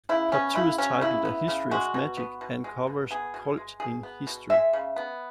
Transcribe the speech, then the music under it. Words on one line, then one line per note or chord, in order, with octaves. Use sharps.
Part two is titled "A History of Magic" and covers occult in history.
C#3 E4
B3 C#4
C#3 E4
F#3 C#4
C#3 E4
B3
C#3
G#3 F#4
B2
B3
B2
G#3
B2
B3 G#4
B2
G#3
B2 G#4
B3
B2
G#3 E5
C#3
B3